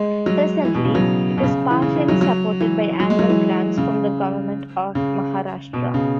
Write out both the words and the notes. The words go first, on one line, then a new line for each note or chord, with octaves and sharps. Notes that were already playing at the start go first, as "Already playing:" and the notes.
Presently, it is partially supported by annual grants from the Government of Maharashtra.
Already playing: G#3
F#3
E3
B2
C#3
F#3
B2
C#3
E3
C#3
E3
F#3
F#3
E3
F#3
G#3
F#3
E3
C#3
C#3
B2
C#3